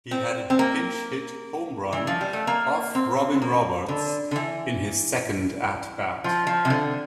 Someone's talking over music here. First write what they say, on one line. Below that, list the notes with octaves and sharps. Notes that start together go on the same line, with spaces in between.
He had a pinch-hit home run off Robin Roberts in his second at bat.
C4
C4
A#3
E3
F3
G3
A3
A#3
C4
A#3
D3
D3
E3
F3
F3
C3
D3